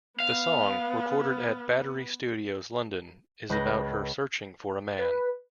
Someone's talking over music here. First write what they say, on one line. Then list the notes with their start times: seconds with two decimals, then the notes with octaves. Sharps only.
The song, recorded at Battery Studios, London, is about her searching for a man.
0.20 B3 F5
3.49 C#2 B4 G6 A#6
4.99 B4